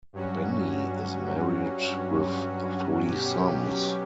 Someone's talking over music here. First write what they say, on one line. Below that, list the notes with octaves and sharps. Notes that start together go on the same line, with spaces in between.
Bennie is married with three sons.
G2 F#3 C#4 F#4
B2 F#3 C#4 G4